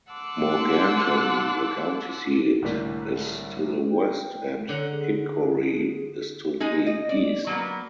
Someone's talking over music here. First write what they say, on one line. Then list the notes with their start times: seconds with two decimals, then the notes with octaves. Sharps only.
Morganton, the county seat, is to the west, and Hickory is to the east.
0.10 F#5 A5 C6 D6 E6 F#6
2.62 C2 A2 D3 A#3 D5 B6
3.91 G5
4.69 D3 C#5 F#5 A#5
4.91 G#4
6.60 G#3 D#4 G#4
6.86 D#5
7.09 D5
7.47 F#3 A#3 B3